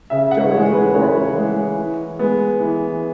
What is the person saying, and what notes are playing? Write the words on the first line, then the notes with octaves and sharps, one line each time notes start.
Joy to the world.
C#3 E5
F#5
E3 C#5
G#3
B4
C#3 C#5
E3 G#3
E3
G#3 B3
E3